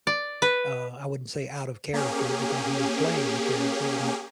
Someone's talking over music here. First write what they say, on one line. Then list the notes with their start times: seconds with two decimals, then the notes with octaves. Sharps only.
uh, I wouldn't say out of character because he was playing the character but
0.07 D5
0.42 B4
1.93 A#3 C#4 G4 G#4